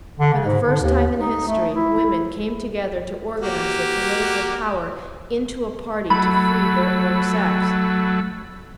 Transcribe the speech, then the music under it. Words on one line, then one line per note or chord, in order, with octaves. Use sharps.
For the first time in history, women came together to organize their political power into a party to free their own sex.
D3
C#3
G#2
D3
D#2
D#4
A3
E4
A#3 F#4 G4
F#3 A3 B5